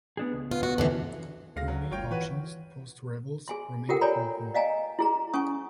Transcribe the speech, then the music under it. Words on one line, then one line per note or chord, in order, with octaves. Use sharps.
Rooney options, post-Rebels, remain open.
B3 D4 G#4
C#2
B3 F4
F#4
F#2 D3 E3
D2 G#3 F5 A#6
F#3
G1 F4 C#5 G5
E3 F#4 B4 C#5
G#4 G#5 C6
F4 G4 A4 A#4 F#5 G5
C#5 D5 G#5 A#5 B5
D5 D#5 F5 G5 G#5 A#5
E4 G#4 A#5
C#4 G#5 C#6 D#6